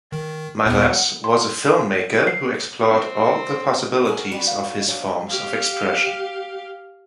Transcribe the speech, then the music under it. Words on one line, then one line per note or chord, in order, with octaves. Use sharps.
Madrás was a filmmaker who explored all the possibilities of his forms of expression.
D#3
D#2 A#2 B3
F#5
C6
C7
C4
F#4 G#4 A#4
G3 D#4 F#4
F5
F#3 D4 F4
G4 F5